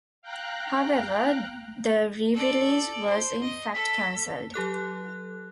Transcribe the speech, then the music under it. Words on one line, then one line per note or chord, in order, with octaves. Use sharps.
However, the re-release was in fact cancelled.
F5 G5 A#5 F#6
A4 D5
C5 C6
D#5
A4 B6
F#3 G4 A4 F#6